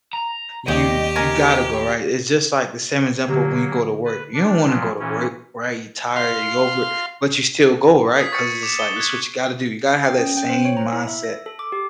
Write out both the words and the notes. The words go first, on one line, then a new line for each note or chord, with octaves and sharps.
you you gotta go, right? It's just, like, the same example when you go to work. You don't wanna go to work, right? You're tired. You're over it, but you still go, right? ‘Cause it's just like that's what you gotta do. You gotta have that same mindset
A#5
D#2 G4 D5 D#5 G5
A#4 G#5 A#5
D3 F#3 A#3 G4
B4
D4
A#2 F3 F#3
A#2 E3 C#4
F5 C6
D#6 G#6 B6
C#6 A6 B6 C#7
D6 E7
G7
F#6 G#6
G5
C#4
G5
C5
C#5
A#5
E4
E5
A#6
A4
D6
G4